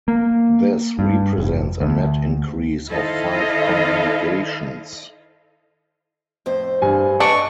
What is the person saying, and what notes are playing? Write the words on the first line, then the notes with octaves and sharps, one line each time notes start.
This represents a net increase of five congregations.
A#3
G2
F1
D2
D#3 E4 A4 C5 D#5 F5
F2 A2 C5
G2 G#5
D4 B4 D#5 C#6